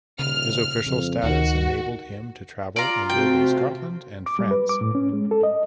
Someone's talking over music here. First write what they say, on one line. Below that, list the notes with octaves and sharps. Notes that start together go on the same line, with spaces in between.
His official status enabled him to travel and live in Scotland and France.
D#1 C#3 F6
F2 C#3
D2 D#3 F#4
F4 D5 A#5
C3 A3 C4 F#4 G5
D6
G3
B4
D6
A2
C#4
G#3
A4
D#5